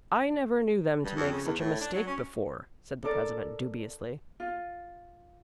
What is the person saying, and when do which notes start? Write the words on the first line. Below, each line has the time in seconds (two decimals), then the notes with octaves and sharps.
"I never knew them to make such a mistake before," said the president, dubiously.
1.04 G2
1.16 F2
1.32 C#3
1.44 E2
1.58 A2
1.80 D4
1.93 F#3
2.07 C#4
3.04 D4 A4 A#4 D5
4.40 F4